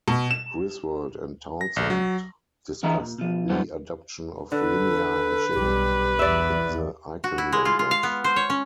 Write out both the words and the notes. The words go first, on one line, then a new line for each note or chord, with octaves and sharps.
Griswold and Townsend discussed the adoption of linear hashing in the Icon language.
B2
E7
A#6
A#1
F#3
D3 E3 G#3 E4 D#5 A#5
A#2
B2 F3
B1 G2 D3 F#3 B3 C5
D3 A4 B4
B1 G3 G4
E2 D5 E5
F#4
E4
G#3
F4
F4
F5
B3
C5
C#5
C#4